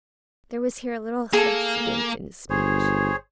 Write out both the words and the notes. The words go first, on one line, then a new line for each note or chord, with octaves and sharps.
There was here a little subsidence in his speech.
A#3 G#4 A4
G1 G#4 C5 C#5